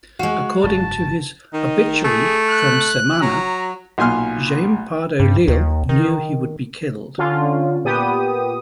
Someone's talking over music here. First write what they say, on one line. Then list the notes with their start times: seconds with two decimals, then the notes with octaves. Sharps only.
According to his obituary from Semana, Jaime Pardo Leal knew he would be killed.
0.19 G#3 F#4 F5
0.64 F1 G2 C#3 A5
1.54 D#3 D#5
2.04 A3 G#4
2.50 F#6
3.22 F#3 A#5
3.98 B1 A#2 G#5 C6 F6
5.20 G2
5.48 D#2
5.89 D#3
7.18 D3 C#4 F4
7.84 A#2 B3 G4 D#6